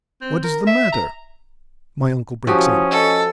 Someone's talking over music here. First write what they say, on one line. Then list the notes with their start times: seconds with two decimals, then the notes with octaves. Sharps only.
"What is the matter?" my uncle breaks in.
0.22 C4
0.44 A#4
0.67 E5
0.93 A#5
2.47 F3 C#4 E4 F#4 G4 D#6
2.91 A4 D#5